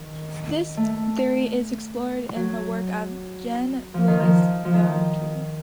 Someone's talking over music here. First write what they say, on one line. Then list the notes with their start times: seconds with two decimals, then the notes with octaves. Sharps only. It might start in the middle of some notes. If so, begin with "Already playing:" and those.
This theory is explored in the work of Jean-Louis Baudry.
Already playing: D#3
0.77 A3
2.36 F#3
3.94 F3
4.08 D#3
4.21 F3
4.65 F3
4.74 D#3